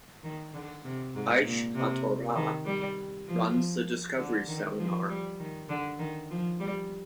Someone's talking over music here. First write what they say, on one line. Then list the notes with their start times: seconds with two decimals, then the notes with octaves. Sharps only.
Aish HaTorah runs the Discovery Seminar.
0.23 D#3
0.54 D3
0.84 C3
1.15 G#2
1.44 A#2
1.75 C3
2.36 D#3
2.65 G3
3.27 F3
4.18 D3
4.48 D#3
4.79 F3
5.09 G3
5.39 D#3
5.69 D3
5.99 D#3
6.30 F3
6.60 G3